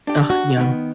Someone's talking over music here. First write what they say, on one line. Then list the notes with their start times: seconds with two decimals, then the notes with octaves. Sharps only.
Ah, yum.
0.07 D4 G4
0.30 F#4
0.57 D#3 B3